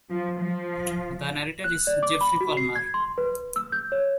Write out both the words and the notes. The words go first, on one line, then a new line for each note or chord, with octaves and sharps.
The narrator is Geoffrey Palmer.
F3
F3
F#6
D5
D6
B5
F#4
C7
G#6
C6
B4
E6
G6
C#5